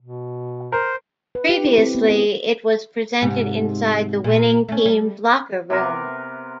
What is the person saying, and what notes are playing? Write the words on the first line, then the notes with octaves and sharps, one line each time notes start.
Previously, it was presented inside the winning team's locker room.
B2
A#4 C5
B4
G4
E4
C4
B3
D#5
G#2 C3 G4
A#2
A3 C#4
G3
C3 B3 A#4 B4